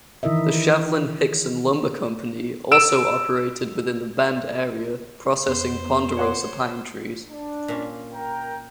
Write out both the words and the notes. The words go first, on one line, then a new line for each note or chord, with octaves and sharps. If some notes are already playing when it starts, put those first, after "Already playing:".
The Shevlin-Hixon Lumber Company also operated within the Bend area processing Ponderosa pine trees.
D#3 E3 E4 A#4 D#5 E5
E6 D7 E7
F2 B3 C5
C#5 F#5 C6
D4
A#2 C#4
A#4 G5 A#5